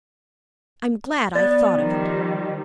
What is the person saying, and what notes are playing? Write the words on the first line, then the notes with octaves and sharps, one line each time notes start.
I'm glad I thought of it.
B3 D5 A6
D#3 F3 G3